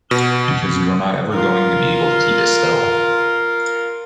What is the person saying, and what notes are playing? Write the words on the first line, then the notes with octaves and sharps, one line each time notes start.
Because you are not ever going to be able to keep it still.
B2
F4 A#4